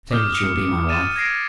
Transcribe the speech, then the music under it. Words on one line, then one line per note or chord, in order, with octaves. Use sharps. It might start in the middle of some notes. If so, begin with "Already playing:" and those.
"Say that you will be my wife."
D6 D#6 F6 G6 G7
D#6 F6 C#7
A6 D#7 E7
G#6 A#6 C7 D7